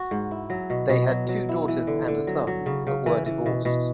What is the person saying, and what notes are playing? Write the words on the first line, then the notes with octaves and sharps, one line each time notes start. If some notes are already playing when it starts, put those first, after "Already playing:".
They had two daughters and a son, but were divorced.
Already playing: F#4
G#2
E4
F#3
B2
B2
F#3
F#3
E4
E3
D3
D3
F#3
F#3
C#3
C#3
E3
E3
B2
B2